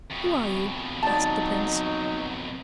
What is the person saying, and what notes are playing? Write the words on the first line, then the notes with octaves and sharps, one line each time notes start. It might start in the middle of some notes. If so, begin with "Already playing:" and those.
'Who are you?' asked the prince.
F2 B2
F#3 D#4 D5 A5